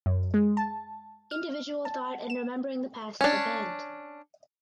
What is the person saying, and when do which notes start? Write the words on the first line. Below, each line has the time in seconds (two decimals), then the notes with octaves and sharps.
Individual thought and remembering the past are banned.
0.06 F#2
0.34 G#3
0.57 A5
1.31 F6
1.85 A5
2.30 E7
3.21 C#4 D4